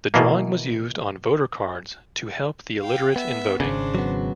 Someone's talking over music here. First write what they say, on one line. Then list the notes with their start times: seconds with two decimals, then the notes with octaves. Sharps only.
The drawing was used on voter cards to help the illiterate in voting.
0.14 B2 E3 A#3
2.80 F5 G5
3.16 B3 E5
3.60 G#1 C#3 D4 C5
3.95 F#3 B3